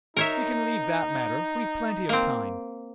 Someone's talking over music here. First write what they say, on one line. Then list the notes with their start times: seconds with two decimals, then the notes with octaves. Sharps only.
We can leave that matter--we've plenty of time.
0.17 D#4 A#4 C#5 E5
2.09 A#3 C4